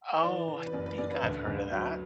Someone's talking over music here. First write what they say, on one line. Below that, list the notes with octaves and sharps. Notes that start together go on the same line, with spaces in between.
Oh, I think I've heard of that.
E3 D5
E3
B4
F#1 D5
B4
F#1 D5
B4
D2
D2
F#3